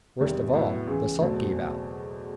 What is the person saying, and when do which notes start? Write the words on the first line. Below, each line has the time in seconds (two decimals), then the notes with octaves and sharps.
Worst of all, the salt gave out.
0.21 E2 C3 D#3 G3
0.53 A2 F#3 B3 E4
0.87 C#2 C#3 E3
1.21 E2 B2 F#3 A3 C4